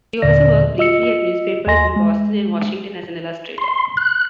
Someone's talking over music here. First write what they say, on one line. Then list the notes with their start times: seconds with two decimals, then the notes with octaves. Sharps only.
He also worked briefly at newspapers in Boston and Washington as an illustrator.
0.22 D#2 A#2 D3 D5 A#6
0.78 F4 D#5 E6 C#7
1.67 D#2 D#5 G#5 C6 A#6
1.96 G#3
3.58 C6
3.97 F#6